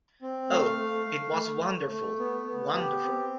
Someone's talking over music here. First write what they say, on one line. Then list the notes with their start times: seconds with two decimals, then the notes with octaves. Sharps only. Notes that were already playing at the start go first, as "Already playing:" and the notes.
Oh, it was wonderful — wonderful.
0.22 C4
0.50 A3 F5
0.78 A3
1.07 A3
1.35 A3
1.63 A3
1.91 A3
2.19 B3
2.47 B3
2.76 G4
3.04 C4